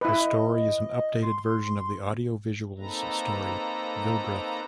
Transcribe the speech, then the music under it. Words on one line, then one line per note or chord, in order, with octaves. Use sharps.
The story is an updated version of the Audio Visuals story "Vilgreth".
E4 B4 D#5
C6
A#3 C4 D#4 A4 B4 A#5